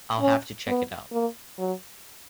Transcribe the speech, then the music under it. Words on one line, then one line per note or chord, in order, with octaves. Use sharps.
I’ll have to check it out.
C#4
B3
A#3
F#3